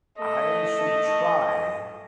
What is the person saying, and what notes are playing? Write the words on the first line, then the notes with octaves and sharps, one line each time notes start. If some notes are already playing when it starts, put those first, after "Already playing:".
I should try
A3 D#5